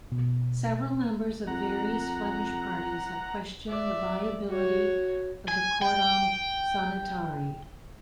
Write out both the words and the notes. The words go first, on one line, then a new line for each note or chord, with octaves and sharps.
Several members of various Flemish parties have questioned the viability of the "cordon sanitaire".
B2
F2 F#5 A#5
D5 E5
F#4 C#5
G#5
G5